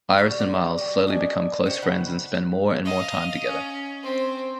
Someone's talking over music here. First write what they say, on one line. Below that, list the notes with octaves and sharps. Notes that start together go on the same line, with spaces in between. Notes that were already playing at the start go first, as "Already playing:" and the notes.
Iris and Miles slowly become close friends and spend more and more time together.
D3 F#3 G3 C4
D5
F#3 G4
D4 D#5 G#5
C5 C#5 G5
C#3 F#4 B4 F#5
D#5 F5
C#4
C4 C5